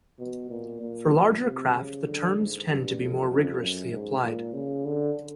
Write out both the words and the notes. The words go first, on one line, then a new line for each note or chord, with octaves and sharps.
For larger craft the terms tend to be more rigorously applied.
B2
A#2
A#2
C3
C#3
D3
G#2
G2
F2
F2
F#2
G#2
A#2
C#3
D3